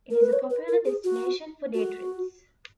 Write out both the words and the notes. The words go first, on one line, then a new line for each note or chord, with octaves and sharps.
It is a popular destination for day trips.
A#4
B4
C#5
B4
A#4
G#4
F#4
F#4